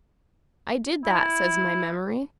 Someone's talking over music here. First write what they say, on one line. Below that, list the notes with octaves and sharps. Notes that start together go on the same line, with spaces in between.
"I did that," says my memory.
E4